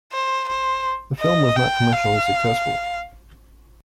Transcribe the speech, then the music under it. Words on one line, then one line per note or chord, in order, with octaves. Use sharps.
The film was not commercially successful.
C5
C5
D#5
G5
F5